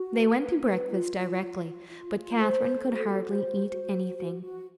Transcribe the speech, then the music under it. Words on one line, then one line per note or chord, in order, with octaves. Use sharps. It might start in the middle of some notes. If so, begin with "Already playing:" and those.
They went to breakfast directly; but Catherine could hardly eat anything.
Already playing: F#4
B4
B4
B4
F4
F4
F4
F4
F4
F4
C5
A4
F#4
C5
F#4
C5
F#4
F#4
F#4